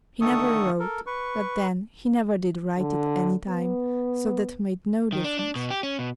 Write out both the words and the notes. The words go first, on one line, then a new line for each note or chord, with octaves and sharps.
He never wrote; but, then, he never did write at any time, so that made no difference.
D3 D#3 A3 A4 C#6 D#6
A4 A#4
B4 C#6
D3
B3
D#3
D4
D4
B2
G4
C#4
B2